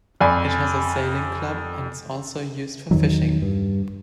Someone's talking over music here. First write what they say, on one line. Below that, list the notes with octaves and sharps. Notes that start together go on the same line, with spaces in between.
It has a sailing club and is also used for fishing.
F2 D5 G#5 B5
E2 D#3 F#3
G2